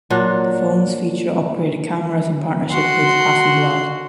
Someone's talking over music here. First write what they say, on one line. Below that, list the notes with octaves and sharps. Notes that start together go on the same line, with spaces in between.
The phones feature upgraded cameras in partnership with Hasselblad.
A#2 F#3 D4
F#4 C6